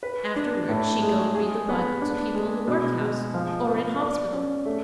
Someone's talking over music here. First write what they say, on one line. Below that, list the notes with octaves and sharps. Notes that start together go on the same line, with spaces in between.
Afterwards she'd go and read the Bible to people in the workhouse or in hospital.
B4
D4
A2
G#3
G#4
B3
D4
G#3
B2
G#3
F3
B3
D5
C#4
A3